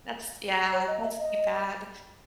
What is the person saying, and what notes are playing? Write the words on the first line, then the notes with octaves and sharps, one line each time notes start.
that's yeah, that's too bad.
C#5
D#5
E5
D#5